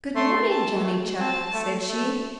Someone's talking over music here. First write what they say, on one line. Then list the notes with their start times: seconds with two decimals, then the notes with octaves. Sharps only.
"Good morning, Johnny Chuck," said she.
0.15 A3 C6
0.49 A5
0.84 A3
1.19 C4 A5
1.54 A3
1.88 A3